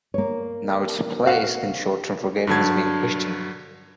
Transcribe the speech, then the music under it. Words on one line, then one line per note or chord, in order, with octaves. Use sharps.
Now, its place in short term forgetting is being questioned.
A#3 C#5
F#4 F5 F#5
G2 D3 F#3 A5 G#6